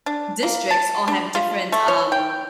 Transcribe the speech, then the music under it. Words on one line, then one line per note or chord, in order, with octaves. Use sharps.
districts all have different, um
D4
A#3
A5
D4
F4
A3
C#5
G5